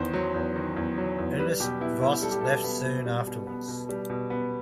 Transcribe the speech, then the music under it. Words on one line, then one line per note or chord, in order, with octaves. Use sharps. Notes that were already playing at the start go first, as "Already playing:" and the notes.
Ernst Voss left soon afterwards.
Already playing: E2 D#3 C5
F#3
E2
D#3
E2
F#3
E2
G3 B4
B2 G4
B3 E4
B2 E4
G3 A4
G4
B2 A4
B3
B2
G3
B2
B3
B2
G3
B2
B3